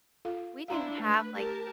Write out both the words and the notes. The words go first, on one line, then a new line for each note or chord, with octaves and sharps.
we didn't have, like,
F4 A4 F5
D4 E4 F5 A#5 C6
A3 B4
G4 A#4 A5